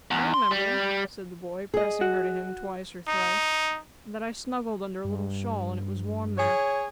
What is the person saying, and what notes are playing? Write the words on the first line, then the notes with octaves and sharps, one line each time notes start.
'I remember,' said the boy, pressing her to him twice or thrice, 'that I snuggled under a little shawl, and it was warm there.'
E2
C6
G3
G#4 D#5
F#4
D#4
G2
G#4 C#5